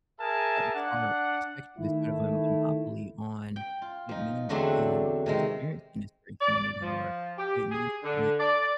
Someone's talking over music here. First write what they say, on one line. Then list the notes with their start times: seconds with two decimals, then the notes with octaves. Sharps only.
our our perspective is sort of a monopoly on what it means to be experienced in a certain community or what it means to be
0.19 G#4 A#4 E5 G#5 A5
0.74 D4 F#5
1.79 D#3 A3 E4
3.56 G5
3.82 F4
4.09 F3 D#4
4.49 E2 D3 F#3 A3 C4 D4
5.26 C3 D#3 G#3
6.41 D5
6.82 F3
7.38 G4
7.71 G#4
8.03 D3
8.39 D5